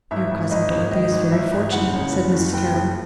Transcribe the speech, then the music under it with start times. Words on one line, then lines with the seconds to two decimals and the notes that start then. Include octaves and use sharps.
"Your cousin Dorothy is very fortunate," said Mrs. Carroll.
0.11 G#1 E5
0.31 G#1
0.51 G#1 D#5
0.70 G#1
0.91 D#3 D#5
1.11 G#1
1.31 G#1 E5
1.52 G#1
1.72 F#1 F#5
1.93 C#3
2.12 F#1
2.33 F#1
2.53 F#1 G5
2.73 F#1